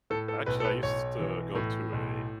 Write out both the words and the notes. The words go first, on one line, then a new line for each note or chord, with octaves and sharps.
Actually, I used to go to a
A2 A4
A4
B1 B4
A4
B4
B1 C#5
E3
A2
B1